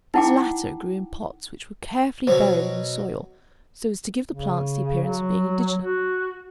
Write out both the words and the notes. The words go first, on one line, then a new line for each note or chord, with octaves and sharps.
These latter grew in pots which were carefully buried in the soil, so as to give the plants the appearance of being indigenous.
D#4 E4 F#5 G5 D6
B2 F#3 C5
C#3
F#3
F#4